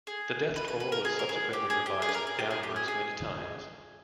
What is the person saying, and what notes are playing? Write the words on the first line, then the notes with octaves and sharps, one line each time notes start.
The death toll was subsequently revised downwards many times.
G#4
B4
B4
B4
A#4
G#4
A#4
G#4
G4
G#4
G4
G#4
B4
A#4
G#4
G4
G#4
G4
G#4
G#4